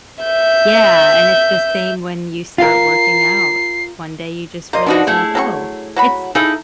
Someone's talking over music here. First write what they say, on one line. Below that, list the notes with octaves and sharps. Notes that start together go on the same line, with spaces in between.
Yeah, and it's the same when you start working out, one day you just realize, you know, like, "Oh," it's
E5 G6
F4 A#4 C7
A#3 C5 D#5
B2 F3 D4 D#4 F#4
A3 E4 G#4
F#3 A4 C#6
F#3 F#4 B5
D#4 E4 G#4 A4 F5